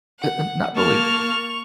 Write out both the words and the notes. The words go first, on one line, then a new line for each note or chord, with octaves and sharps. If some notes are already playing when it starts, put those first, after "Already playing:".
eh eh not really
F#5
A#3 A5 C#6 F6 F7